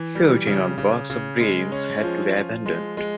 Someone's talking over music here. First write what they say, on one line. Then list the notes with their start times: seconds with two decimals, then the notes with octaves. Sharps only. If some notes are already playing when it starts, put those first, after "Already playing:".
Shooting on "Box of Dreams" had to be abandoned.
Already playing: E3
0.15 G3
0.47 C#3
0.78 C#3
1.10 C#3
1.41 G#3
1.72 C#4
2.03 F3
2.35 F3
2.66 G#3
2.97 G#3